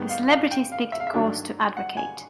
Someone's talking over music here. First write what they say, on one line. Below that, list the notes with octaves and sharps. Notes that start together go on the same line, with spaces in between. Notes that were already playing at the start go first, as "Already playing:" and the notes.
The celebrities picked a cause to advocate.
Already playing: G#2 D#3 G3 B3
F5
F5
G5
F5
E5
F5
E5
G2 D#3 F#3 A3 D4
F#5
G#5